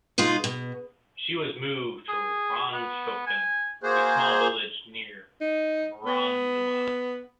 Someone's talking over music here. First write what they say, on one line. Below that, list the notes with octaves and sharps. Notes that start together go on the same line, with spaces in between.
She was moved to Ranshofen, a small village near Braunau.
B2 G#3 D#4 F4
B2
G#4
B3
G#5
A#3 F#4 G#4 C5
D#4
B3